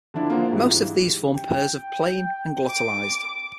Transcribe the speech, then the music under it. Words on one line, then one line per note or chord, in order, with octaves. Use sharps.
Most of these form pairs of plain and glottalized.
D3 F3 D4 E4
A#3 F4 G#4 C5 F#5
G#2 E3 G3 G#3
G5
D6